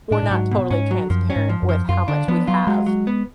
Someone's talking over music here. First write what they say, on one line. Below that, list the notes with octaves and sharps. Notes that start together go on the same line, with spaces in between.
we're not totally transparent with how much we have.
A2 D4
A2
G#2 F#3
B2
G#2 C#4
F#3
F#2 F3
C#4
G#2
F3
F#2
F3
F#2 F4
D3 D4
F3 B3
F#3 F4
F#3 G#3
F#3
B3